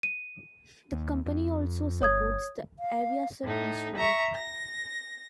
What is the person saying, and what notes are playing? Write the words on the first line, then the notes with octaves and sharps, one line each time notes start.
The company also supports the Aviasud Mistral.
D#7
D#2
F2
G1 C#5 D#6 G#6
F5
A2 D#4
E5 A#5 C#6
A#6